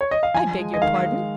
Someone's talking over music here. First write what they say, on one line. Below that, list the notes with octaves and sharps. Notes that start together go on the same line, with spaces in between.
'I beg your pardon.
C#5
D#5
F5
F3 G#5
G#3
D#5
D#3 F5
G#3